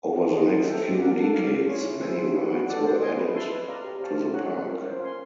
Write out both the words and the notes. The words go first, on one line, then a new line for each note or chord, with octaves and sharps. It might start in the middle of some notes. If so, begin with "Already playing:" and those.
Over the next few decades, many rides were added to the park.
F4
G#4 B4 D#5
E4
A4 C5 E5 G5
G4
A#4 D5 F#5
A4
D5 F5
F4
G#4 C#5
E4
G#4 C5 E5
E4
G#4 B4
F#4
A4 D5 F#5
C5
D#5 G#5 C6
B4
E5 A5 C6
B4
D5 F5 A#5
G4
C5 F5 A5
E4
G#4 C#5 F#5 A#5
C#4
F4 A#4 C#5
C5
F5 G#5 C6